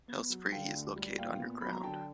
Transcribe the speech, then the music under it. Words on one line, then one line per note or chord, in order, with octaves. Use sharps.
Helsfyr is located underground.
B3
F#3
D3 F5 G5
D2
G3
A#2 F5 G5
B3
F#3 B5
A#5
D3 G5 A5